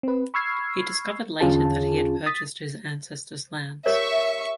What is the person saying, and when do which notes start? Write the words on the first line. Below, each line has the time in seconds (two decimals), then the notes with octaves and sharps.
He discovered later that he had purchased his ancestors' lands.
0.03 C4 B4
0.34 B5 C#6 E6 F6 G#6 C7
1.40 E2 D3 C#4 F4 G#4 A5
2.26 D#6 A6 B6
3.86 G4 A#4 C#5 E5 C#6